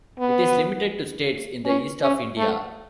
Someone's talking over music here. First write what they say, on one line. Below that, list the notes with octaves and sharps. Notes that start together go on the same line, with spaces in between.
It is limited to states in the East of India.
B3
C#4
C#4
A3